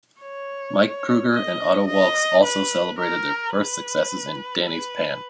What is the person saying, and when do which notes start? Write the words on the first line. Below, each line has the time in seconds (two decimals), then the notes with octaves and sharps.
Mike Krüger and Otto Waalkes also celebrated their first successes in "Danny's Pan".
0.22 C#5
1.33 D#5
1.88 D#5
2.44 B4
2.99 A#4
3.55 B4
4.66 B4